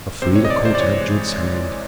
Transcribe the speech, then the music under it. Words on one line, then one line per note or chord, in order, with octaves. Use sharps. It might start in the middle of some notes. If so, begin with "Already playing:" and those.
Elfrida caught Edred's hand.
C3 C5
C#5
E3 D#5
D5
C3
C5
D5
E3 C#5
G#3